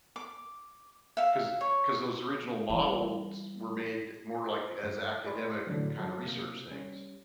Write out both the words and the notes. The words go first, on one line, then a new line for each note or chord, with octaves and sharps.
'cause 'cause those original models were made more like as academic kind of research things.
D6
E5 F5
C#5
E3 G3
G2
G#4 B4 D5 D#5 B5 C6
A2 D3 E3 F#3
F#3 A5
C3 A#3 G6
G3 C#4